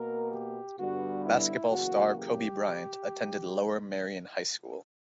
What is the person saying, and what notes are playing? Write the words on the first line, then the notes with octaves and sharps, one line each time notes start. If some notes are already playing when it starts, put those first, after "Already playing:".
Basketball star Kobe Bryant attended Lower Merion High School.
Already playing: B2 A#3 A#4
G4
G2 D3 G3 B3 F#4
E4
E2 C#3 F#3 A#3 F#4
G4